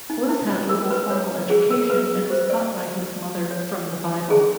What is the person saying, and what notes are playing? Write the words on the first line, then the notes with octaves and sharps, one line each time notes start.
Bliss had little formal education and was taught by his mother, from the Bible.
D#4
E4
A#4
B4
C#5
G#4
A#4
B4
C5
D5
C#5
G#4